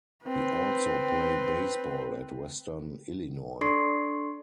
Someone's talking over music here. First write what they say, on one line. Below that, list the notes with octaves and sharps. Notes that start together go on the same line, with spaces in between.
He also played baseball at Western Illinois.
C4 B4
D4 A4 D5 C6 C#6 C7